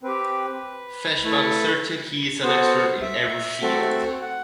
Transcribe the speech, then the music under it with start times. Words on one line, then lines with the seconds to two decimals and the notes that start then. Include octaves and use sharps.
Feshbach asserted, He is an expert in every field.
0.03 C4 G4 B4
1.23 A3 E4 A4
2.43 B3 F#4 A4 C5
3.02 E5
3.62 A3 C4 F#4 A4
4.22 F#5